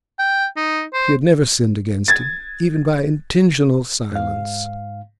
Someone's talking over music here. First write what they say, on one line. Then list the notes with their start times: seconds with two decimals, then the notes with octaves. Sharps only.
She had never sinned against him, even by intentional silence.
0.19 G5
0.56 D#4
0.94 C5
2.08 G#6 A6
4.12 G#2 F5